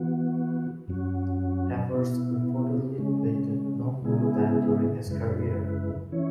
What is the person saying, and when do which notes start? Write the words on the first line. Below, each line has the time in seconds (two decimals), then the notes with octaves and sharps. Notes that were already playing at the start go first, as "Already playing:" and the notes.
Evers reportedly weighed no more than during his career.
Already playing: E3 B3 F#4
0.88 F#2 F#3 C#4 F#4
1.93 B2 B3 E4
2.98 C#3 G#3 C#4
4.02 C#3 G#3 B3 E4 G#4
5.07 F#2 C#3 G#3 E4 B4
6.12 E3 C#4 E4 C#5